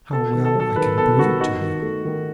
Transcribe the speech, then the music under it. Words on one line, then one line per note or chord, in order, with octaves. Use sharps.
How well I can prove it to you!
B3 A4
D#3
A4
F#3 A4
D#3 B4
B3 A4
D#3 F#4
D#4 F#4
D#3
A3
D#3